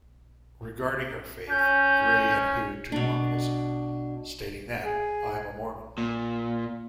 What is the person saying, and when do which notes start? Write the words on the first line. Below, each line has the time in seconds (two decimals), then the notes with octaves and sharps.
Regarding her faith, Grey adhered to Mormonism stating that, I am a Mormon.
1.50 C#4 G6
2.92 B2 D4
4.84 G#4
5.98 A#2